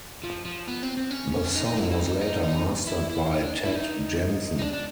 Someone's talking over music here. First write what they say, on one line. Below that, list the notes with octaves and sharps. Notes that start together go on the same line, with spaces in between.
The song was later mastered by Ted Jensen.
F3
F3
B3
C4
C4
C#4
D#4
D#4
E4
E4
D#4
D#4
D#4
E4
E4
D#4
D4
E4
D#4
D#4
D4
D4